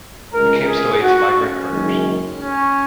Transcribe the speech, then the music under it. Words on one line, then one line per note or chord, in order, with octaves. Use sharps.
The camp still aids migrant workers.
C#2 C#3 G#3 A#4
G#4
F#4
C#4
F#1 F#2 D#3 G#3
C#4